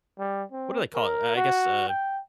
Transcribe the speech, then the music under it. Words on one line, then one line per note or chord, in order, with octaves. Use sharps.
what do they call it- I I guess a
G3
C4
A#4
F#4
G5